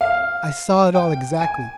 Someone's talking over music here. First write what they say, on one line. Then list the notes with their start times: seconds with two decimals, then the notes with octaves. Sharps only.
I saw it all exactly.
0.01 F5
0.95 G5
1.41 G#5